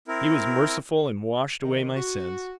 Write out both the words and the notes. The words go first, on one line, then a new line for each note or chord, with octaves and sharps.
He was merciful and washed away my sins.
C4 E4 A#4
D#3
F#4